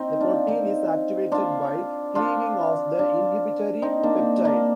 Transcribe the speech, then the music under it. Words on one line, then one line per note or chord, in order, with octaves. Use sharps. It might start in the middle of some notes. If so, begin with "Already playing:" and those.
The protein is activated by cleaving off the inhibitory peptide.
Already playing: C4 D#4
D4 F4
C4 D#4
D4 F4
D4 F4
D4 F4
C4 D#4
A#3 D4
A#3 D4